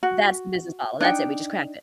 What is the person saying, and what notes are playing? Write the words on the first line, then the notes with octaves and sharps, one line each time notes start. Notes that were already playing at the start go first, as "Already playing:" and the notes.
That's the business model. That's it, we just cracked it.
F#4
D4 D#4 G5